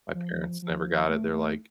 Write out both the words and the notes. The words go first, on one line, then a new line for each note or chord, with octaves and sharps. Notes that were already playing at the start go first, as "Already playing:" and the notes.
my parents never got it, they're, like,
F3
F3
A3
A3